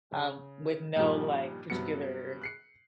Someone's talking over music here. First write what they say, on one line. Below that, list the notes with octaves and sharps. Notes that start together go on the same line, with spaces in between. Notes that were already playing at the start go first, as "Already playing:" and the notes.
um, with no, like, particular,
C#3
G2 A#2 D#3 F3 G3
G2 C3 F#3 B3 C#7
F#6 C7 C#7